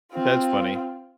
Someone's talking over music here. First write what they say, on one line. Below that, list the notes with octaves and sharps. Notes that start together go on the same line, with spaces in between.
That's funny.
C4 F4